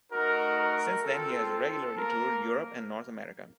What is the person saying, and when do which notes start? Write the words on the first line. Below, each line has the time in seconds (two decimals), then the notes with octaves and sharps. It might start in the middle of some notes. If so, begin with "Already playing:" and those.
Since then he has regularly toured Europe and North America.
0.12 A3 D#4 F#4 A#4
0.58 A#4
1.04 C4 F4 A4
1.50 A4
1.97 A#3 A#4